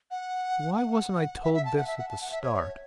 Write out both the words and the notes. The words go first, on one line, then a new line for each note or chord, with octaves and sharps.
"Why wasn't I told this at the start?"
F#5
F#5
E5
E5
A5
F#5
E5
F#5
A5
F#5
E5
C#5